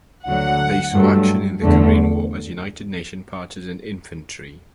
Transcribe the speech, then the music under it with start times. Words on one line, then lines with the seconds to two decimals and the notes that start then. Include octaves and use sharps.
They saw action in the Korean War As United Nation Partisan Infantry.
0.27 D2 D3 F#3 F#5
0.95 G2 F#3 A3
1.63 E2 D3 A3